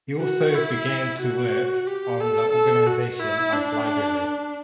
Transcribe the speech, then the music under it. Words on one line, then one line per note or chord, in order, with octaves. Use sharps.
He also began to work on the organization of library.
F#4
E4
F#4
G4
A4
A4
F#4
E4
D4